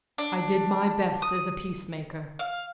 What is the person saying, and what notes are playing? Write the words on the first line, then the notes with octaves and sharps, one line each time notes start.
I did my best as a peacemaker.
D4
D#6
F5